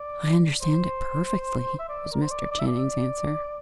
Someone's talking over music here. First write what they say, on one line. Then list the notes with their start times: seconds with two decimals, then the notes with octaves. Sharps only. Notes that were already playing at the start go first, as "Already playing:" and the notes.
"I understand it perfectly," was Mr. Channing's answer.
Already playing: D5
0.61 C5
1.79 E5
1.89 D5
2.12 A#4
2.21 C5
2.31 D5
2.52 D5
2.59 E5
2.67 D5